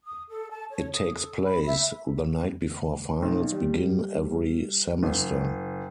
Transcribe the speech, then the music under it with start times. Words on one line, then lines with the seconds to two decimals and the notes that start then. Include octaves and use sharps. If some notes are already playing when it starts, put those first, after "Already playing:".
It takes place the- night before finals begin every semester.
0.04 D#6
0.28 A4
0.50 A5
0.70 C#5
0.93 D#6
1.19 A4
1.43 B5
1.66 E5
3.23 B1
3.52 G3
5.03 F#1